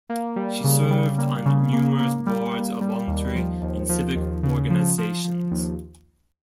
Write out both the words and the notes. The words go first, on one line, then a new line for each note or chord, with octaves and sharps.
She served on numerous boards of voluntary and civic organizations.
A#3
G3
C#3
G3
A#3
C#3
A#3
A#3
G3
A#3
G3
D#2
F3
D#2
F3
D#2
C#3
F3
F3
F3
D#2